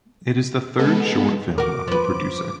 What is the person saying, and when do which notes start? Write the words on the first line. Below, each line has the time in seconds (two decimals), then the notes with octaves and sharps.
It is the third short film of the producer.
0.79 G#3 B3 A4
1.58 F#4 A#4 D6
1.88 F3 B4